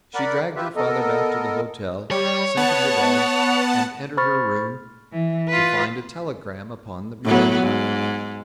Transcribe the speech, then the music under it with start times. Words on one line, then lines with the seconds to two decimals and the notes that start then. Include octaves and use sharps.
She dragged her father back to the hotel, sent him to bed, and entered her room--to find a telegram upon the bureau.
0.15 A#4 D5 F#5 B5
0.56 F4 G4 B4 E5
0.76 B3 A4 A#4 D#5
2.11 G3 C#5
2.57 B3 F#5 A5
4.17 C5 B5 C#6 F6 A6
5.13 E3
5.49 F4 B4
7.25 A2 F#3 B3
7.62 G#2